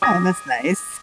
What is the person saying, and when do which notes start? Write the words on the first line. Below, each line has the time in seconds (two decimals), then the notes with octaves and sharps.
Oh, that's nice.
0.02 D6 D#6 G#6 A#6